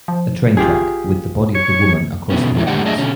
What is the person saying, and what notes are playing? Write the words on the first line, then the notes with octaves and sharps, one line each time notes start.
A train track with the body of the woman across the rails.
F3
A1 F4 G4 G#4
C#5
B2 D3 E3 B3 C#4
A#2 E3 G#3 C#4 D#4 E4
A2 C#3 G#3 D4 G4 F#5
F2 A2 D4 G#4 D#5 E5
B2 D3 C#4